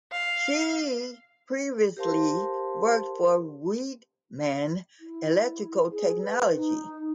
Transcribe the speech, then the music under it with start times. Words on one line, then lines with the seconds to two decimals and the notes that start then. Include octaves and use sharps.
She previously worked for Weidmann Electrical Technology.
0.12 F5
1.97 G4 A#4 C5 F5 A5 C6
5.00 E4
5.91 G#4
6.21 B4
6.52 D#4